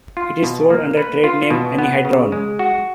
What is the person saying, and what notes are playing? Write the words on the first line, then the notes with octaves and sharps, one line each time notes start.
It is sold under the trade name anhydrone.
F4
B2
A#3
B4
F4
B2
B3
C#3
G#3
F#4